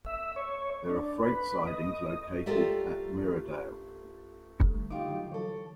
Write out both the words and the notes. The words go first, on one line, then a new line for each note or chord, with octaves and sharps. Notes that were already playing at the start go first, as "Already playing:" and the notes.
There are freight sidings located at Myrdal.
E5
C#5
D4
B4
D#5
F4 G4 A4 A#4 D5 E5
D3 G3 A3
D#4 F4 G4 D6 D7
D3 F#3
E3 F#3 A4 C#5